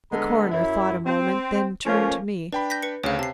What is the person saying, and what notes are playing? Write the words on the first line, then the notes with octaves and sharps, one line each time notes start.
The coroner thought a moment, then turned to me.
D3 G#3 B3 A4 A#5
F#2 E4
C4
F3 A3 A#3 C#4
D4 B4 G5 B5
G6 A#6 B6
B4 C#7
D2 C#3 C#5 F5
C3 A5 C7